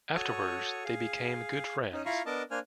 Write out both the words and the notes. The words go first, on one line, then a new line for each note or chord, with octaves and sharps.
Afterwards they became good friends.
F#4 A4 C#5 C#6 D#6
G#4 F5
C#4 D#4
E4 F4 F5 A#5 B5 C#6
B3 D4 A#4 D#5 A5 D6
A#3 D4 C5 G#5 F6